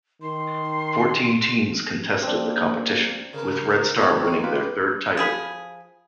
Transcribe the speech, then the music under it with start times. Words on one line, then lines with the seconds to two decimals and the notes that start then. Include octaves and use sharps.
Fourteen teams contested the competition, with Red Star winning their third title.
0.22 D#3 C6
2.23 A#3 C4 D4
3.33 C#3 A#4 B4
3.96 B1 C4 D#4 C5 C#5 F5
4.21 B1 G#3 A#4 C#5
4.44 F4 G4 B4
5.17 F3 G#4 B5